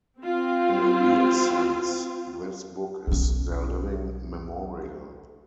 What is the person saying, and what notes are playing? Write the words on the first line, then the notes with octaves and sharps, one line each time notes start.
In a real sense, this book is their living memorial.
C4 F4
B1 C#4